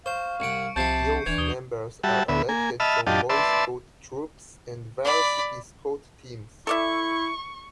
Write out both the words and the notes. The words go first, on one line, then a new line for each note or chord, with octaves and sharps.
Youth members are elected from Boy Scout troops and Varsity Scout teams.
C5 F5 C#6
C2 F#5 C#6 C#7 D7
C2 C3 F3 A5 B5 G6 C7 C#7
D#1 E3 D4 G#6 F7
D#2 C#6 D#6 G7
G3 F#4 E5 A5
D2 B3 E5
A#3 G#5
D#5 E5 A5 B5 E6 F6
F#2 D4 F4 G4 D#5 A5
B4 D5 E5 A5 C6 E6
D5 B5
E4 A4 D5 E5 C#6